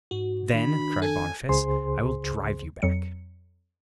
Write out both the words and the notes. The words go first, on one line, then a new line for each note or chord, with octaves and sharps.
"Then," cried Boniface, "I will drive you back."
G#2 F#4
D#3 D4 B5
A4 G#5
C#2 C#3 G#4 C5 C6
F2 F#3 C#7